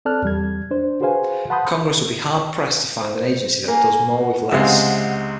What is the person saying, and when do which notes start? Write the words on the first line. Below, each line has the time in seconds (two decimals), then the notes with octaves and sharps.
Congress would be hard-pressed to find an agency that does more with less.
0.05 C4 A4 D5 A5 F6 F#6
0.22 E2 G3 G#6
0.71 D4 C5
1.01 F#4 G#4 B4 C5 F5 G#5
1.50 F#5 A5 B5 C6 D#6 G6
3.00 C5
3.68 A#3 G#5
4.16 F#5
4.52 C#2 C3 G#3